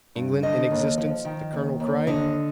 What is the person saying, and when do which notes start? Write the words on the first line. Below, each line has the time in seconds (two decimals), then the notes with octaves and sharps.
"England in existence?" the colonel cried.
0.15 G2
0.43 D3 D#5
0.71 D#2
0.98 F3
1.25 D#3
1.53 D#2
1.80 D#2
2.07 D3 D#5